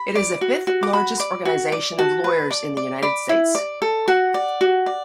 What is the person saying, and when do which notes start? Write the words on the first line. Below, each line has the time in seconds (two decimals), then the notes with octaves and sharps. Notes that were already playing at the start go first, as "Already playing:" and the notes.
It is the fifth largest organization of lawyers in the United States.
Already playing: B5
0.15 D5
0.41 F#4
0.67 F#4
0.83 D6
0.93 F#4 B5
1.20 D5
1.45 F#4
1.72 D5
1.99 F#4 A5
2.24 B4
2.51 D5
2.77 D5
3.03 D5 B5
3.29 E4
3.55 D5
3.82 A4
4.08 F#4 F#5
4.34 D5
4.61 F#4
4.86 D5